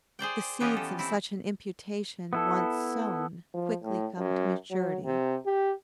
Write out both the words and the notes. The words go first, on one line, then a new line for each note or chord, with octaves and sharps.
The seeds of such an imputation, once sown, quickly come to maturity.
G#4 C5 D5 G5
E3 B3 C#4 F4 G4 D#5
A4
C4 E4
B3 E4 A4
F3
A2
F#2
F#3
C3
G4